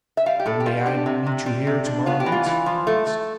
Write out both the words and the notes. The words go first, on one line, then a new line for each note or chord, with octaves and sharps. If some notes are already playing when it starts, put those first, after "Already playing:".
"May I meet you here to-morrow night?" I asked.
E5
G3 F5
G4
A2 A4
G4
G3 F4
D4 G4
C3
C3
G3
C3
D4
B3 F4
G4
E3
F4
E3
F3
A3
A3